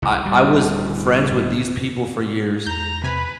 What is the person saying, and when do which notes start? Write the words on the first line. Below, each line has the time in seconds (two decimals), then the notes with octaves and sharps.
I I was friends with these people for years
0.02 C2
0.25 D1 G3
2.66 E2 A#5 G6
3.04 C3 B4 G#5 B5